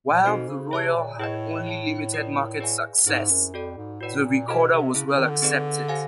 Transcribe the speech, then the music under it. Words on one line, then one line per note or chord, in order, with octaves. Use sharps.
While the Royal had only limited market success, the Recorder was well accepted.
A#2
B2 C4 D#4 F#4 A4 C5
C#3
C3 G#4 C#5 E5 A5
A#2
A#2
A2 G#4 B4 D#5
G#4 C#5 E5 A5
F4 A#4 D5
G#4 B4 D5 F5 G#5
G#2 C4 E4 G#4 C5
F#2
F2 F#4 A4 D5
G#2
A2 F#4 B4 D5 F#5
A#2
B2 E4 A4 C5 D#5 F#5
C3
C#3 C#4 E4 G#4
C#3
D#3
D3
C4 D#4 G#4 B4 D5
G4 C5 F5 G#5